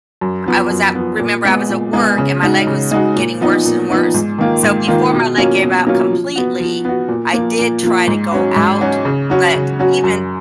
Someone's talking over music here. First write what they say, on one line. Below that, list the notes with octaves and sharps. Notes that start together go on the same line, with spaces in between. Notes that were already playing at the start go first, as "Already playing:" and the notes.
I was at remember I was at work and my leg was w getting worse and worse. So before my leg gave out completely, I did try to go out. But even
F#2
F3 B3
F#2
F3 B3
A#2
G#3 B3
A#2
G#3 B3
C#3
G#3 D#4 F#4
C#3
G#3 D#4 F#4
A#2
F3 B3 D#4
A#2
F3 B3 D#4
G#2
D#3 A#3 F4
G#2
D#3 A#3 F4
B2
F#3 A#3 C#4 F4
B2
F#3 A#3 C#4 F4
F3
B3 F#4
F3
B3 F#4
A#2
F3 A#3
A#2
F3 A#3
G#2
F#3 C#4 F#4
G#2
F#3 C#4 F#4
C#3
F#3 C#4 F#4
C#3
F#3 C#4 F#4
F#2